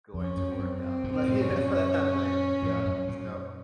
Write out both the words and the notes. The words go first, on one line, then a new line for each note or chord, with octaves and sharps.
going to work out. Like, you know, I'm like yeah, so
F2
C#4
F#2
C4
F#2
C4
F#2 A#2
C4
A2 C3
C#4
F#2 A#2
F2 A2
F#2
F#2 A#2